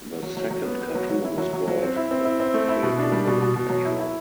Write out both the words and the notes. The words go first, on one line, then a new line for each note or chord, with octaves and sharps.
The second cartoon was called "The Pedro Patrol".
F#3
F#3
F#3
B3
B3
F#3
F#3
E4
F#3
F#3
F#3
C4
E4
C4
E4
C4
A3
E4
B2
D4
G3
B2
B2
B2
F#3
E4
E4